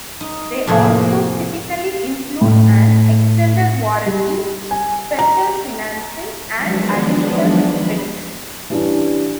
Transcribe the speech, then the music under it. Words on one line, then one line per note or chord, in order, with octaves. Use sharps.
They also typically include an extended warranty, special financing, and additional benefits.
D#4
F2 A2 C3 A#3 G#4
A2
G3
G#5
A#5
D#3 F3 F#3 G#3 B3 D4
B5
E3 G3 C#4 D4